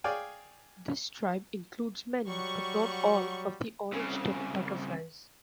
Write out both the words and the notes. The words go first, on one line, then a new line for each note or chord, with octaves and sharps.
This tribe includes many, but not all, of the orangetip butterflies.
G#4 C#5 D5 F5 G5 G#5
F#3 G3 F#5 C#6
C2 C#3